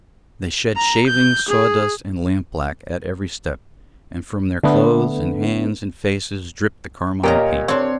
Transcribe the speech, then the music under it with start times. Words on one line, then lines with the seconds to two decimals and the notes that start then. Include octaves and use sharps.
They shed shavings, sawdust and lampblack at every step, and from their clothes and hands and faces dripped the carmine paint.
0.76 A#5
1.07 G6
1.49 G#4
4.63 D3 A3 B3
7.23 A#2 F4 G4 A#4 C#5 D#5 A#5
7.68 C4 D4 C#5 C6